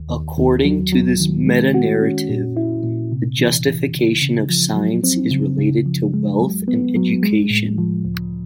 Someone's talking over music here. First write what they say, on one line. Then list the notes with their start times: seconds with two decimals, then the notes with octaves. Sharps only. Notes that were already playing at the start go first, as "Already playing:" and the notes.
According to this metanarrative, the justification of science is related to wealth and education.
Already playing: D#2
0.10 D#2
0.38 D#2
0.65 F#3
0.92 F#3
1.20 D#3
1.47 G#3
1.74 F#4
2.02 C#4
2.30 A#2
2.57 E4
2.84 A#2
3.12 C3
3.39 E3
3.66 E3
3.94 C#3
4.22 C#3
4.49 F3
4.76 F#3
5.04 C4
5.31 C#3
5.59 C#3
5.86 F3
6.14 G#3
6.41 F#3
6.68 B3
6.96 F#3
7.23 G#3
7.50 A2
7.78 F3
8.05 C#2